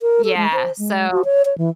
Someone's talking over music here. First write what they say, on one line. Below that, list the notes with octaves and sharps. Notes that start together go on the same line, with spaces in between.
Yeah, so
A#4
A4
G#3
C5
G#3
F#4
C#5
C#5
E3